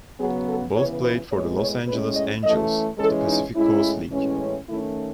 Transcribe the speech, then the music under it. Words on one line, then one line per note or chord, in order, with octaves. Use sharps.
Both played for the Los Angeles Angels of the Pacific Coast League.
C#3 F#3 B3 G#4
A4
C#3 E3 B3 C#5
B4
A2 G#3 B3 C#5
C#5
A2 G#3 C#4 B4
D#5
E3 A3 C#4 D#5
E3 G#3 C#4 A4
D#4
A2 G#3 C#4 E4
A2 E3 G#3 C#4
D#3 A3 C#4 E4